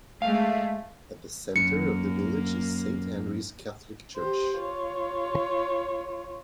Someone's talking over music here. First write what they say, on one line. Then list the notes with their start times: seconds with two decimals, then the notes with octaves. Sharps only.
At the center of the village is Saint Henry's Catholic Church.
0.22 G#3 A3 F5
1.56 F#2 A#3 C#7
4.17 G4 C5
4.59 F4 C#5